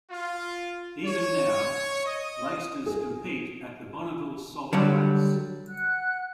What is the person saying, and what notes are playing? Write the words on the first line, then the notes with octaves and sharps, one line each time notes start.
Even now, lakesters compete at the Bonneville Salt Flats.
F4
C#5
D#5
G#4
D3 F#3 G3
F#5 F#6